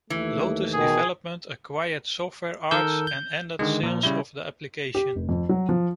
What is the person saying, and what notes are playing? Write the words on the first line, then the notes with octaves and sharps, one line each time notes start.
Lotus Development acquired Software Arts and ended sales of the application.
D#2 E3 A3
B2 D#3 G#4
D#3 A4 A#4 E6 G6
G6
D3 D#3 G#3
A#2 F3
C#3 G3 E4
G4
F1
F2
F#3
F3